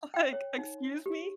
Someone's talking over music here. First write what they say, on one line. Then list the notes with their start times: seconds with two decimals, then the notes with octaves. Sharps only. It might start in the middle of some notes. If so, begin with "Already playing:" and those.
Like, excuse me?
0.14 G5
0.33 C#5
0.58 D#4
1.06 G4